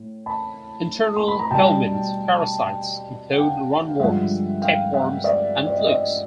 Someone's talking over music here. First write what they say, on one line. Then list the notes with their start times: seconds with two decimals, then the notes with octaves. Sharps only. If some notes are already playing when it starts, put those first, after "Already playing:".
Internal helminth parasites include roundworms, tapeworms and flukes.
Already playing: A2
0.26 A5 B5
1.16 C6
1.28 B5
1.39 A#5
1.51 B2 G3 G5 A5
3.33 F#5
3.37 F5 G5
3.88 F5
4.00 G2 D3 F3 G#3 E5 F#5
4.62 F5 G5
4.93 E5 F#5
5.24 D5 E5
5.67 D5
5.77 D#5
5.87 D5 E5